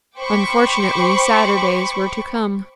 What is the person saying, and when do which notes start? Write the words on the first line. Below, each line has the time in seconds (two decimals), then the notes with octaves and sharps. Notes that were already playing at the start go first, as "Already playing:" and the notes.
Unfortunately sadder days were to come.
0.17 C5 G5 B5 C#6 D6